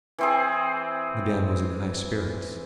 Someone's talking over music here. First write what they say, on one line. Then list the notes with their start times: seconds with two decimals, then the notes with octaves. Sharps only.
Madame was in high spirits.
0.18 E3 C4 G#4